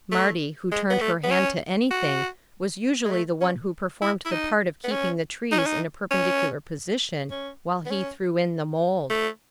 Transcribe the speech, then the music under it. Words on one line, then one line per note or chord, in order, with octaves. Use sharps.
Marty, who turned her hand to anything, was usually the one who performed the part of keeping the trees in a perpendicular position while he threw in the mould.
A3
G#3
B3
A3
B3
C#4
F#4
G#3
A3
C#4
E4
E4
D#4
B3
C#4
D#4
C#4
D#4
C#4
C#4
B3
C#4
A3